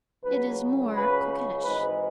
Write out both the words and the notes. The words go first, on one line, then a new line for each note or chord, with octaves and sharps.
It is more coquettish.
C#2 C#3 F#3 B4
C#2 C#3 F#3 B4
G#1 G#2 E3 G#3 B4